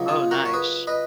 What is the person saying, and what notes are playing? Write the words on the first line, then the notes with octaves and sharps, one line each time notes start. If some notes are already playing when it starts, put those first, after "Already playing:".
Oh nice.
Already playing: C#2 C#3 F#3
F4 G#4
F#4 A#4
C#5
G#4 B4
B4 D#5